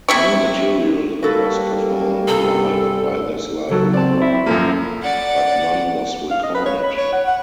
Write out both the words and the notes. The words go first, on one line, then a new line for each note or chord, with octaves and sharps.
New material was performed live by this line-up, but none was recorded.
C3 E4 C#6
G3 A#3 F#4 A4 B4
G2 C3 G#4 A4
C#2 F#3 A4
C4 D5 A5
E4
F#2 F3 A#3 A4
D5 F#5
F5
D#5
B4
C#5
B5
C#5
F#5
F#5